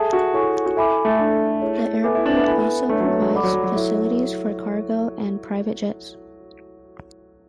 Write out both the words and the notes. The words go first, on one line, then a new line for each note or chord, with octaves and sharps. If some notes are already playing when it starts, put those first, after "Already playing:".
The airport also provides facilities for cargo and private jets.
Already playing: G#4 A4 E5 A5
F#4
E4 A4 C#5 G#5 C#6
F#4
E4 A4 E5 G#5 B5 D6
A3
D4 A4 D5
E4 G#4 C#5
B3 A4 E5 G#5 D6
E4
D4
B3
E4 A4 E5 G#5 B5
A3 D4 A4 C#5
F#3
F#3
A4 D5 F#5 B5 D6
F#3
F#3
F#3
E4 A4 E5